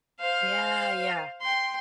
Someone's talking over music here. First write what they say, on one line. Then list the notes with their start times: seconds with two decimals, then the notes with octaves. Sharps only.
Yeah, yeah.
0.21 C5 F5
1.42 G5 C6